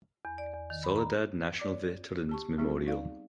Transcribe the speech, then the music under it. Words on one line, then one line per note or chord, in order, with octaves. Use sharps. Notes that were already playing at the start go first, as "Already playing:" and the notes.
Soledad National Veterans Memorial.
E2
D5
E2
D#3
B5
A#5
C#5 D5 D6
G4 A5 C#6
G3 B3 C4 D#4 G#4
D#4 D5 F5